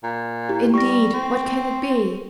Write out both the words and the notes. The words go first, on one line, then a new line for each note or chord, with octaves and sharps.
"Indeed! what can it be?"
A#2
E4 G4
G3 C#6 A#6
C4